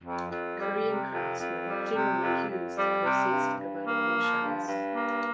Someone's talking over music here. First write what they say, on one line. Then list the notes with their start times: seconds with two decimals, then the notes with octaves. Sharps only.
Korean craftsmen generally use the processed abalone shells.
0.04 F2
0.31 F2
0.58 G3
0.85 C3
1.12 F2
1.40 F2
1.67 G3
1.95 C3
2.22 F2
2.49 F2
2.77 G3
3.04 C3
3.31 G2
3.58 G2
3.86 A#3
4.14 F3
4.41 G2
4.68 G2
4.95 A#3